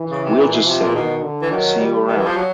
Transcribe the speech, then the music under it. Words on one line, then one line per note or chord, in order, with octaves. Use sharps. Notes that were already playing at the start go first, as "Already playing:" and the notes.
We'll just say, 'see you around.
Already playing: E3
C#3
C3
A#2
B2
C3 F3
A#2
B2 D#3
D3
E3
D#3 F#3
G3
D#3
E3
F3
F#3